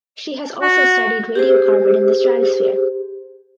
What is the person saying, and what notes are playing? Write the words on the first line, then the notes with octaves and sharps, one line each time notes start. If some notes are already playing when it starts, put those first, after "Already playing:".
She has also studied radiocarbon in the stratosphere.
F#4
G4 G#4 C5